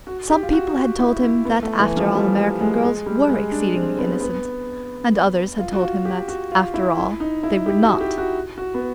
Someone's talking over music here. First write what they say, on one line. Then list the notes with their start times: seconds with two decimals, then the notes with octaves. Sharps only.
Some people had told him that, after all, American girls were exceedingly innocent; and others had told him that, after all, they were not.
0.07 F#4
0.30 G4
0.43 F4
0.53 F#4
0.76 F#4
0.99 E4
1.22 E4
1.45 B3
1.63 A3
1.80 E3
1.97 F3
2.15 G3
2.61 G#3
2.83 G#3
3.06 G3
3.29 G#3
3.51 D4
3.75 C4
3.99 B3
4.20 B3
5.59 F4
5.73 F#4
5.82 F4
6.05 G4
6.28 F#4
6.52 F4
6.74 E4
6.98 E4
7.20 D#4
7.43 E4
7.66 G4
7.83 F#4
8.01 G4
8.18 F#4
8.58 F#4
8.74 B3